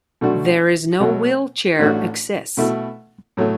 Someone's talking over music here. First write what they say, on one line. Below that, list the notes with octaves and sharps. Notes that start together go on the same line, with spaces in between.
There is no wheelchair access.
B1 B2 A3 D4 F#4
B2 F#3 A3
A1 A2 A3 D4 F#4
B2 A3 E4
A2 F#3 A3